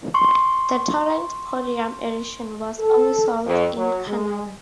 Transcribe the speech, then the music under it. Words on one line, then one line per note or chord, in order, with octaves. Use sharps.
The Torrent Podium Edition was only sold in Canada.
C6 C#6
A4
F2
F#3
G#3